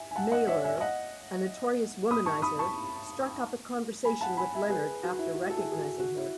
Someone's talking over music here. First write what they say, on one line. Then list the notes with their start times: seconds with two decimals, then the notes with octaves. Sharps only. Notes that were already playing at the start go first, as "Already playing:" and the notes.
Mailer, a notorious womanizer, struck up a conversation with Leonard after recognizing her.
Already playing: E5 G#5
0.11 G#5
0.16 F#5 A5
0.32 D#5 F#5
0.47 C#5 E5
0.64 E5 G#5
0.80 D#5 F#5
2.10 B5 D#6
2.26 A5 C#6
2.42 B5 D#6
2.59 A5 C#6
4.05 G#5 B5
4.21 F#5 A5
4.37 G#5 B5
4.54 E5 G#5
4.70 G#4 B4
5.03 F#4
5.19 E4
5.34 F#4
5.50 A4
5.57 E4 G#4
5.72 G#4
5.78 F#4
6.00 F#4
6.17 E4